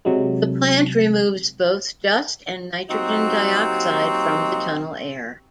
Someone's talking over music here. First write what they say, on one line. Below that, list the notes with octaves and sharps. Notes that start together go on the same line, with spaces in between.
The plant removes both dust and nitrogen dioxide from the tunnel air.
C3 F#3 G#3
F#3 A#3 C4 D#4 F#4 G4